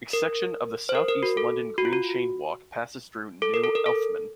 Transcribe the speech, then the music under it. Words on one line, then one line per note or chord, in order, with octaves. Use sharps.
A section of the South East London Green Chain walk passes through New Eltham.
A#4
C5
A#4
A#4
F#4
A4
F#4
F4
F#4
A4
A#4
A4
A#4
A4